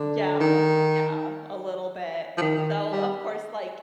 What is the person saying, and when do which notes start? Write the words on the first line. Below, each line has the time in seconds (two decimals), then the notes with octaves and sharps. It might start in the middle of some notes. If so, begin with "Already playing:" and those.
Yeah, yeah, a little bit, though, of course, like,
Already playing: D3
0.40 D#3
2.38 F3
2.42 D#3
2.58 D#3
2.92 G3